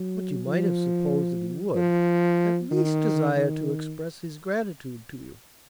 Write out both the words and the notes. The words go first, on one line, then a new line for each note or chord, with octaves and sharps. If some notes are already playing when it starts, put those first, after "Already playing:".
"But you might have supposed that he would, at least, desire to express his gratitude to you."
Already playing: F#3
F3
F3
D#3
D#3